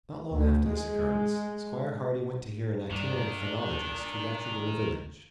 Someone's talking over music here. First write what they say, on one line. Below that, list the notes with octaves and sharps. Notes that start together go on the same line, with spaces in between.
Not long after this occurrence, Squire Hardy went to hear an itinerant phrenologist who lectured in the village.
D2
G#3
G2 A#2 D#3 D4